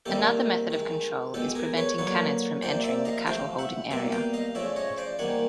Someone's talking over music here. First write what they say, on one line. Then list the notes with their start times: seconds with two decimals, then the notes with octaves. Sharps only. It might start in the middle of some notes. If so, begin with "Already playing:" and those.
Another method of control is preventing canids from entering the cattle holding area.
0.06 C3 D#3 G3 A#3 G4 A4
0.70 D#3 G#3
1.34 B2 G#3 G4 A4
1.55 G#4 A#4
1.77 B4 C#5
1.98 D3 F#3 A#3 B4 C#5
2.62 C3 F3 A#3 C5 D5
2.84 D5 E5
3.05 D#5 F5
3.27 C3 F3 A3 F5 G5
3.58 E5 F#5
3.90 B2 G3 A#3 D5 E5
4.12 F5 G5
4.33 D#5 F5
4.55 C#3 F3 A3 D5 E5
4.76 C#5 D#5
4.98 C5 D5
5.19 D#3 G3 A#3 F#5 G#5